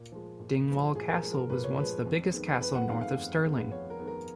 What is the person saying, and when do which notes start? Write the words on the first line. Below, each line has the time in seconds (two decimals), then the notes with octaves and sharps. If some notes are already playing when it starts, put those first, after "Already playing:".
Dingwall Castle was once the biggest castle north of Stirling.
Already playing: A#2
0.12 F3 G#3
0.40 A#2
0.68 F3 G#3
0.95 A#2 G#4
1.08 A#4
1.13 G#4
1.23 F3 G#3
1.32 A#4
1.50 A#2 B4
1.64 C#5
1.78 F3 G#3 B4
2.05 F2
2.33 D#3 G#3 B3
2.61 F2 B4
2.75 F#5
2.88 D#3 G#3 B3 F5
3.01 F5
3.15 F2
3.44 D#3 G#3 B3
3.71 F2 C#5
3.90 A#4
3.99 D#3 G#3 B3
4.08 A#4